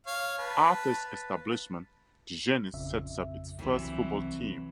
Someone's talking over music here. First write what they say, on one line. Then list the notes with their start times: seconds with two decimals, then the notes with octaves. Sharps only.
After its establishment Digenis sets up its first football team.
0.06 C#5 F5
0.38 B4 A5
2.74 A1 F2 C#3 E5
3.59 C2 C3 E3 F#3